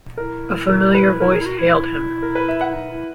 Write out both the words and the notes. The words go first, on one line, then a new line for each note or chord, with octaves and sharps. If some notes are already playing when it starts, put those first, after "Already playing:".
A familiar voice hailed him.
E4 A#4
A#4
B4
B4
E4 A#4
G#4
E4
F#4
E4
A#4
B4
E5
F#5
D#4
E4